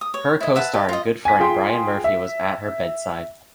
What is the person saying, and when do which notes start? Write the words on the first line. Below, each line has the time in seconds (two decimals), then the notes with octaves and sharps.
Her co-star and good friend Brian Murphy was at her bedside.
0.01 D#6
0.14 C#5
0.40 E4 D#5
0.55 B4 E5 F#5 A5
0.74 G4 B4 D#5 A5
0.89 F4 D#5
1.25 G#5 B6
1.39 F4 G#4 G5 C6
2.04 E5